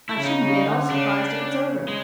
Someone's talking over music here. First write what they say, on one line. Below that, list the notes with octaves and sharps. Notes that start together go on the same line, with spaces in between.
"I shouldn't be at all surprised if it's over."
E4
C#3
D#4
C#3
D3
C#3 D4
G#3